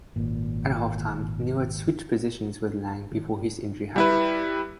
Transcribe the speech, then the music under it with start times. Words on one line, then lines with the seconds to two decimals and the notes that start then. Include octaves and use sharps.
At halftime Neal had switched positions with Lang before his injury happened.
0.16 G#1 A#2
3.96 G3 E4 B4